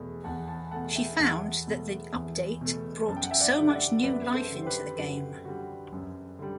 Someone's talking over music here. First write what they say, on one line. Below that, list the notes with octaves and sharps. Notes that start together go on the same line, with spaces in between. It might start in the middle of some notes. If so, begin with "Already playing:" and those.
She found that the update brought "so much new life into the game".
Already playing: E2 B2 A3
E2 F#5 A5
F#5 A5
B2 A3 F#5 A5
E5 G5
E2 F#5 A5
B2 A3
E2
B2 A3
F#2 A5
G5
F#5
E5 G5
D5 F#5
D3 G3
D5 F#5
F#2 B4 D5
A4 C5
D3 G3
C5
G4 B4
F#2 F#4 A4
D3 G3 F#4
F#2
D3 G3